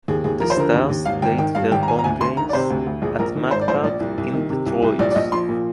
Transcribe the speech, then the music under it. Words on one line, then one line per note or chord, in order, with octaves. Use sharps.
The Stars played their home games at Mack Park in Detroit.
D#2 G#4
D#2 G#4
F3 A#4
C5
D3 A#4
D#2
D#2
G#1 F5
G#1 G5
D#3 G5
G2 F5
G#1 G5
A#5
G#1 G#5
A#5
D2 G#5
D2 C6
D#3 A#5
D5
C3 C5
D2
D2
A#1 G#4
A#1 A#4
D#3
G#2 C5
D5
A#1 C5
A#1 D5
C2
C2
D#3
C3
C2
C2
A#1 D5
D5
A#1 D#5
F3 C6
A#2